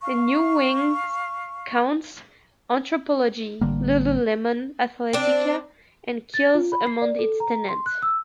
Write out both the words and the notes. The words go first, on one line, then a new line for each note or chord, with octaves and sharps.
The new wing counts Anthropologie, Lululemon Athletica, and Kiehl's among its tenants.
F5 C#6
A1 D3 G3 A#3
C4 D4
A6
F4
B5
C7
D5
A4
A#5
C6
F#6
E6